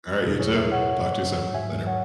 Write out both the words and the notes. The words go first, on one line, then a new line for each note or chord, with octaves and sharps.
All right, you too. Talk to you soon. Later.
E2 B2 F#3 E4 G#4
G#4 C#5
B4 E5
C#5 F#5
G#2 F#3
G#2 F#3 E5 G#5
C#5 F#5